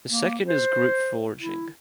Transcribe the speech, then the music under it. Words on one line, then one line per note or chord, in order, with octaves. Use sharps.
The second is group foraging.
A#3
C5
E4